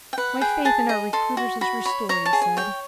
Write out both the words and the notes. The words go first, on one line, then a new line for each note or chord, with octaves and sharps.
"My faith in our recruiters is restored," he said.
G5
B4 F#5
G#4 G5
G#4 A5
D#5 A#5
A4 C6
F#4
F#4 B5
C#5 B5
C#5 A#5
A5
G#4
G#5
C#5 G5